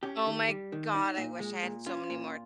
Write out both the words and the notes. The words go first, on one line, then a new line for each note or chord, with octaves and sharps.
Oh my God, I wish I had so many more
C#4 G4
D#3
G3
D#3
D#4
A#2
G#3
A#2
C#4 F4
A#2